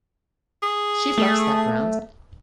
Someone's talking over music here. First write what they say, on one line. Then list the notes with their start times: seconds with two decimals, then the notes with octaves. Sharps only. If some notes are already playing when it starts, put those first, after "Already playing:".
She loves that ground.
0.63 G#4
1.18 A3